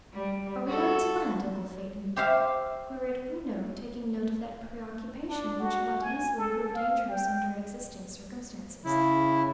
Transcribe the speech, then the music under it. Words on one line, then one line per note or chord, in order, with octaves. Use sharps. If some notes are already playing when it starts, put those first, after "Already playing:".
"Are we going to land, uncle Phaeton?" queried Bruno, taking note of that preoccupation, which might easily prove dangerous under existing circumstances.
G3
F#4 A4
G4 C5 E5 F5
D4
F#4
G#5
A4
F5
G5
C#3 E4